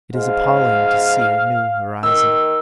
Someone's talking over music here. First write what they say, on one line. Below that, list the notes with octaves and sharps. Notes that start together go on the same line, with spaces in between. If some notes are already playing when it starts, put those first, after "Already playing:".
It is appalling to see a new horizon.
G#2 F5
D#3 E6